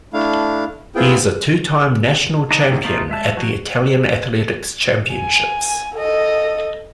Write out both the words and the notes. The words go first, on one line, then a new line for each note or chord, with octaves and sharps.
He is a two-time national champion at the Italian Athletics Championships.
A3 D4 E4 F5
B3 C4 E4 F4 G#4 G5
F#3 D4 D#4 D#5
F#2 A2 D3 D#3
A3 A#3 D#4 F4
G#3 E5 A5
F3 F#3 F#4
G#5
A4 D#5